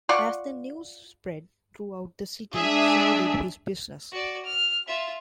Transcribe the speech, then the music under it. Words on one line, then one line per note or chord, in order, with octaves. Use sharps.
As the news spread throughout the city, so did his business.
F4 D5 F#5 C#6
G#3 D4 G#4 E5
F#4 D5
F6
F4 E5